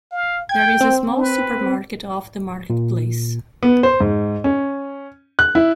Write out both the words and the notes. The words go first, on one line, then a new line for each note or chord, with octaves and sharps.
There is a small supermarket off the Market Place.
F5
G5 G#6
C4
B4
A#2
B3
C5
G#2
C#4
F#6
E4